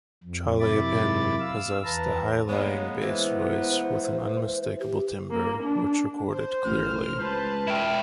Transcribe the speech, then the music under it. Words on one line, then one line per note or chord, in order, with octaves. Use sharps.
Chaliapin possessed a high-lying bass voice with an unmistakable timbre which recorded clearly.
F2
F#2 C3 E4 B5 D6 A6
F5 E6
E2 B4 A5 A#5
G#3 A#3 B3 C#5
E3 C5
G4
A#3
D4
C5
A1 F6
C#2 B4 C5 A5
E4 G5 F6